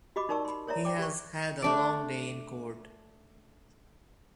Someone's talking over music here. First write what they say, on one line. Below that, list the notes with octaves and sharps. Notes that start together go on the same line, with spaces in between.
He has had a long day in court.
F#4 G4 D#5 B5 D6
D#4 A#4 D5 A5 C#6 E6
B5 C6
A#4 C#5 D5 E5 A#5
D5 G5 D6
G4 C#6
A3 D4 D5